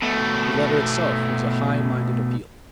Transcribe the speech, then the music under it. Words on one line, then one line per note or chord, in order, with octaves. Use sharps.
The letter itself was a high minded appeal . . . .
B2 A3